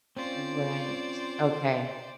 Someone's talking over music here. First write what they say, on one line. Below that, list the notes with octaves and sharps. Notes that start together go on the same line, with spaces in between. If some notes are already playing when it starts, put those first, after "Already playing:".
Right. Okay.
C4 C#4 F4 C5 D5